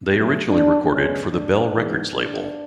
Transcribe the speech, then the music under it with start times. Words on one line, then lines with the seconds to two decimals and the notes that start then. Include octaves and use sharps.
They originally recorded for the Bell Records label.
0.09 B2 F#3 A3
0.50 D4
0.91 F#2 C#3 G#3 B3 C#4
1.33 D4
1.74 G#2 E3 G#3 B3
2.14 D4